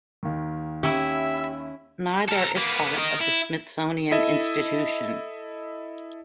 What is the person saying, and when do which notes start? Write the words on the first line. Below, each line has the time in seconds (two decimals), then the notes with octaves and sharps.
Neither is part of the Smithsonian Institution.
0.23 D#2 D#3
0.83 C#4 E4 G4 E5
2.28 A4 A#4
2.57 A#3 B3
2.98 A#4 D#5
3.20 E4
4.11 E4 A4 D#5 E5